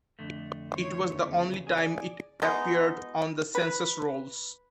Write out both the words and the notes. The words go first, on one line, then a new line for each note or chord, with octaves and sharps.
It was the only time it appeared on the census rolls.
F2 D3 A3
D#3 C5 C#5
E2 C#3 E3
G#4 D5
B2 G#3 D#4
B4